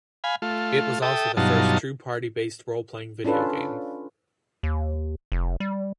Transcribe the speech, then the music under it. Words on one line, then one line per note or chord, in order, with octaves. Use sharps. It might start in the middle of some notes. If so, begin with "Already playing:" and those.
It was also the first true party-based role-playing video game.
F5 G#5 B5
A3 F4
A4 E5 G5 D#6
G2 B2 F#3 D#4 F4 A5
C#4 D4 F4 A4 B4
D#2
F1
G3